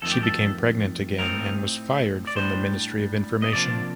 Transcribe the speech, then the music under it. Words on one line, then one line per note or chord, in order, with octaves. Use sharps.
She became pregnant again, and was fired from the Ministry of Information.
F2 D#3 A3 A4
G4
A4
A2 A3 C4 D#4 A#4
D5
A2 G3 D4 C5
D#5
C3 F3 A#3 D4 D5